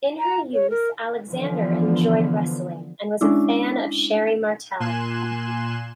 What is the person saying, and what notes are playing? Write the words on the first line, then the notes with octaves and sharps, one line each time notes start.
In her youth, Alexander enjoyed wrestling and was a fan of Sherri Martel.
A#5
C#5
A#4
D3 E3 F3 B3
G#3 C#4 D4 E4
A#2 G#5 C6 F#6 E7